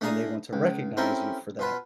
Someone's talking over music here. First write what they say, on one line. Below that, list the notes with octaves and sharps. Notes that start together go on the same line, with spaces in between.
and they want to recognize you for that.
A3 D4 G#4 F5 A#5 D#6
C#2
C4 C#4 E4 G4 A4 A#4
B2 F4 B4